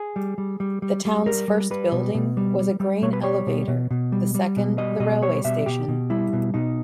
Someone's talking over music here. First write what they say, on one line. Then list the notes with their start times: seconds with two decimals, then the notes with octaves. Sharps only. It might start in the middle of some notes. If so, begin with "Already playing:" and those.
The town's first building was a grain elevator, the second the railway station.
Already playing: G#4
0.16 G3
0.38 G3
0.60 G3
0.82 G3
1.05 G3
1.26 G3 A#4
1.48 G3
1.71 G3 B4
1.92 B2
2.15 B2
2.37 G3
2.59 G3
2.80 G3
3.02 B2 C#5
3.13 B4
3.23 G3 C#5
3.47 B2
3.68 B2
3.91 B2
4.12 G3
4.35 G3
4.57 B2
4.78 G3 D#5
5.00 B2 D#5
5.22 G3 C#5
5.45 B2 E5
5.66 B2 G4
5.88 B2
6.10 G3 E4
6.33 B2
6.54 B2 D#4